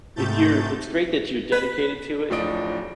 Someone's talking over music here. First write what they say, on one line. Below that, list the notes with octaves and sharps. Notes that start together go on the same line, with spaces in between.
if you're it's great that you're dedicated to it,
G#2 C3 A3 G6 A6
B4
D1 A2 F3 D4 D#5 D7